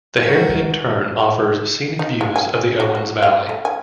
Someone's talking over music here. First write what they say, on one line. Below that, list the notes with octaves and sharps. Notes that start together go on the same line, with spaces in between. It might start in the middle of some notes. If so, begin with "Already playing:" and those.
The hairpin turn offers scenic views of the Owens Valley.
D#3 G3 G#3 F#4 A#4
D#4
G#3
G#5
F#4
F#4
F5
A3
G#5